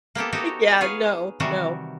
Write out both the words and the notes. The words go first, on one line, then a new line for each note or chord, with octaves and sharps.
Yeah, no, no.
A#3 B3 G4 A4
D#4 F#4 G4 A4 C#5
G#4 B4 C#5 F5
C3 D#3 E3 G3 F#4